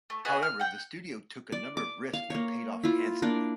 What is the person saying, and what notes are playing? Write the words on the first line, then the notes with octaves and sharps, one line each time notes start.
However, the studio took a number of risks that paid off handsomely.
A3
B3 F#4 G#4 D#5
F6
F#5 G5
D5
D6
F5
A#3 C#5
E4 F4
A#3 D4 D5